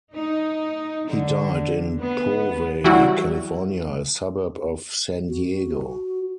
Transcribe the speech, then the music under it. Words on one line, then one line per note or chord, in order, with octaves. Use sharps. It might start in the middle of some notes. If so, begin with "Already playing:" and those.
He died in Poway, California, a suburb of San Diego.
D#4
D3
B3
E3 F#3 G3 E4 F#4
F#4